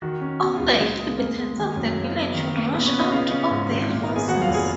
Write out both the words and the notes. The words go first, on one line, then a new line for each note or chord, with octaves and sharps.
All the inhabitants of the village will rush out of their houses.
D#3 F#4
C#4
B2
C#2 F4
F#4
A#2 G#3 G#4
G#3 A#3 G#4
F2 A#3 A#4
G#3
D#3
F#2
C#3 A#3 A#4
B3
D#3
C#4
A#2 B3 B4
C#4 C#5
B3
D#4 D#5
C#3 F4 F5
C#4
G#2
G#1
A#2
A#4 A#5
B3
G#4 G#5
D#2 F#4 F#5
F4 F5
F1
G#4 G#5